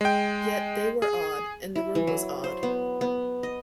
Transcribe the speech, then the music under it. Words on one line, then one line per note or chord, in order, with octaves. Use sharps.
Yet they were odd and the room was odd.
G#3 G5
G#4
E4
E3
F#3
C5
B3
B3
D#5